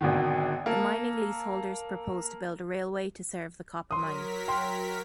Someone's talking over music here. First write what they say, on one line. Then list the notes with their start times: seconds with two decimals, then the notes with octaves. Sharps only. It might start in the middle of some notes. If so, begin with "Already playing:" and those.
The mining lease holders propose to build a railway to serve the copper mine.
0.01 G#1 B2 D3 D#3
0.66 A#3 A4
3.91 F#3 A#4 C6 D#6 B6
4.48 G5 C6